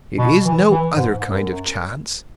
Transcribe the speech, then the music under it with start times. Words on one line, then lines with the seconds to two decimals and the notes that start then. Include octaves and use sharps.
It is no other kind of chance.
0.18 B2
0.45 E3
0.71 E3
0.96 G#2
1.23 F#2